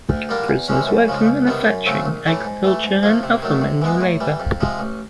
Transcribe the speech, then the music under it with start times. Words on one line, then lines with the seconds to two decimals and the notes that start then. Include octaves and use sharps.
Prisoners worked in manufacturing, agriculture and other manual labor.
0.09 D2
0.29 D3 G3 A#3 D4
0.48 E2
0.68 C3 E3 G#3 C#4
0.88 F#2
1.08 C#3 F3 G#3
1.28 C#2
1.47 C3 D#3 G3 B3
1.67 F#2
1.86 C#3 F#3 A3 C4
2.05 A#1
2.26 A2 E3 A3
2.45 G#2
2.65 E3 A3
2.84 G#2
3.03 F3 A3
3.23 C3
3.42 D#3 F#3 A3
3.61 C3
3.82 E3 G#3 B3
4.01 A2
4.21 E3 G3
4.40 F2
4.61 C3 F3 G#3
4.79 A1